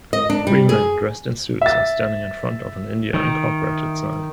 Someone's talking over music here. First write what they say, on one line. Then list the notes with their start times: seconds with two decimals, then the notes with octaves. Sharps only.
Three men dressed in suits are standing in front of a India Inc. sign.
0.13 D#5
0.30 D4
0.47 G3
0.69 G#4
1.62 E5 A6
3.14 D#3